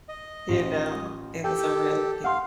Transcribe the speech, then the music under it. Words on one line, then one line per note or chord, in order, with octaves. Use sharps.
You know, it was a real big
D#5
A1 F4
G4 A4 G5
F5 F#5 C6